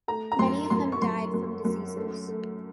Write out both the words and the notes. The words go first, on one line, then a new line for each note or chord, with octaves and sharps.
Many of them died from diseases.
A3 A#5
A#5
F#2 C6
F#2 C6
C#6
F#2 C6
F#2
F#2
A3
A3